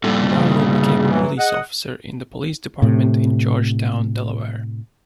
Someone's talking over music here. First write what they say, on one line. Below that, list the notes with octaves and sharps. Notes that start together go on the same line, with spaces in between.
Barlow became a police officer in the police department in Georgetown, Delaware.
G2 A#2 A4
C#3
E3 F#3 A3
G#4 D#5 F#5
A2 C3